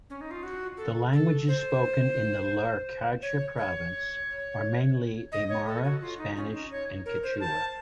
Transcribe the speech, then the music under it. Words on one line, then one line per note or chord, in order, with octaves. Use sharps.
The languages spoken in the Larecaja Province are mainly Aymara, Spanish and Quechua.
C#4
D#4
F4
F#4
A4
A4
C5
C#5
C#5
D#5
C#5
A4
F#4
F4
D#4
C#4
D#4
C#5
A#4
C5
A5